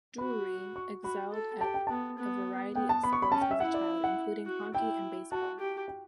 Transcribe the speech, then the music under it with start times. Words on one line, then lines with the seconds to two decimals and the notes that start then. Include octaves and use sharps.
Drury excelled at a variety of sports as a child, including hockey and baseball.
0.18 F#4 B5
0.76 C#6
1.04 F#4 B5
1.32 A4
1.61 G4 A5
1.74 G5
1.87 B3 A5
2.18 B3
2.75 B3 G5
2.89 A5
3.03 B3 B5
3.13 C#6
3.22 B5
3.31 C#4 A5
3.41 G5
3.51 E5
3.60 E4 F#5
3.74 D5
4.04 F#5
4.46 F#4
4.74 E4 G5
5.31 F#4 A5
5.59 G4
5.88 G5